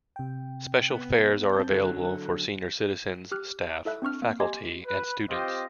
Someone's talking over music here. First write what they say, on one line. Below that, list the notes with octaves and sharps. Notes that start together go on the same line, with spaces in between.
Special fares are available for senior citizens, staff, faculty and students.
C3 G5
B3
C4 A5 G6
D3 F#3 A4 F#6
G4 F6 F#6
E4 A4 E5 F#6
C4 D4 C#6 F6
A#3
G4 D#5 G#5 C6 G#6
B4
C4 F4 G4 C5 D#5